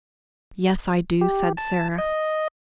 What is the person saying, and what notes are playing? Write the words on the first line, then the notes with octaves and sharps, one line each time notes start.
"Yes, I do," said Sara.
G4
A5
D#5